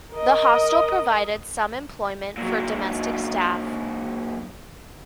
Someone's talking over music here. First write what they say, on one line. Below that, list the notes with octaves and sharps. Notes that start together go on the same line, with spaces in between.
The hostel provided some employment for domestic staff.
A#4 D#5
A#2 F#3